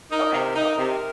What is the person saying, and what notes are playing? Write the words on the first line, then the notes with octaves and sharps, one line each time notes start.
Okay, okay.
D#4 A#4
C3
D#4
C3